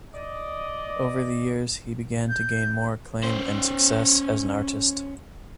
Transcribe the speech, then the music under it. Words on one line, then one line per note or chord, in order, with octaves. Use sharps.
Over the years he began to gain more acclaim and success as an artist.
D5 D#5
G6
C#4 C5